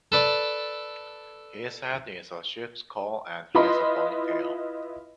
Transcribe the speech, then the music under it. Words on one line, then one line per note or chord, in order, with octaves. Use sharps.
His head is a sheep skull and he has a bony tail.
A4 B4 D5
E4 F4 B4 D#5 B5 C6